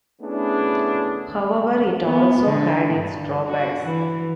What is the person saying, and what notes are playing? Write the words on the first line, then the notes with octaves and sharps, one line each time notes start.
However, it also had its drawbacks.
A3 B3 C#4 D4 E4 G#4
B3
D3
G2
F#4
E3